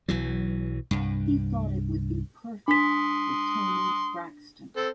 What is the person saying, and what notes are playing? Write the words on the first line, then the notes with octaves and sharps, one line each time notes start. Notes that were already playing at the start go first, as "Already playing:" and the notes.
He thought it would be perfect for Toni Braxton.
B1 E3 F#3
C2 G2
D4 C6 D#6 B6
C4 A4